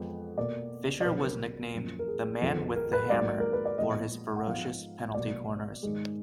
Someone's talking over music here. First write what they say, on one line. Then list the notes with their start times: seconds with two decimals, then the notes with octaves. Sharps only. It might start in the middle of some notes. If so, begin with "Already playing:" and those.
Fischer was nicknamed "The Man with The Hammer" for his ferocious penalty corners.
Already playing: F2 F3 G#3 B3
0.38 B2 A#3 D5
1.01 D5
1.05 B2 F#3 B3 B4
1.22 A#4
1.74 F#2 F3 A#3
1.99 A#4
2.08 G#4
2.42 F2 F3 B3
2.76 A#4
2.93 B4
3.10 G#2 F#3 A#3 D5
3.40 A#4
3.53 B4
3.65 D5
3.78 A#2 F3 G#3 B3 D#5
4.36 F#5
4.46 G#2 F3 G#3 B3 F5
5.14 B2 F#3 A#3 D5
5.83 G#2 D#3 G#3